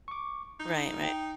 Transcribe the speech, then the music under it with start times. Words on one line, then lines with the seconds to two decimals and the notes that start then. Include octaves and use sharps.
right, right.
0.08 C#6 D6
0.60 D#4 G6
1.03 G5